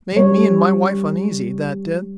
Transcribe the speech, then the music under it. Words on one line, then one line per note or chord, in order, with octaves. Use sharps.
Made me and my wife uneasy, that did.
G3 C#5